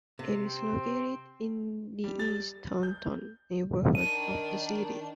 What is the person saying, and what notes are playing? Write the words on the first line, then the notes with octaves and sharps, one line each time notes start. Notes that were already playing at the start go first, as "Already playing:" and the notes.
It is located in the "East Taunton" neighborhood of the city.
C3
C4
G3
A6
G6
D#3 D4 D#7